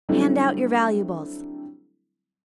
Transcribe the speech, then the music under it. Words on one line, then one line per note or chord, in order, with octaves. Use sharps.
"Hand out your valuables!"
D3 F#3 G3 A3 C4 E4